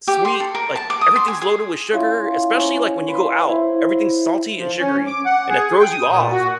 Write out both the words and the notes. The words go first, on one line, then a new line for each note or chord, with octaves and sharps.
sweet, like, everything's loaded with sugar, especially, like, when you go out. Everything's salty and sugary, and it throws you off.
G4
C6
A4
A#4
A5
D6
D#6
C6
G#5
G#4
C#4 E4 F4
C#4 A#5 C#6
B4 C6
E4 C5
F3
C#4
D6
F#5
G#4
G5
D#6
A#2
F#4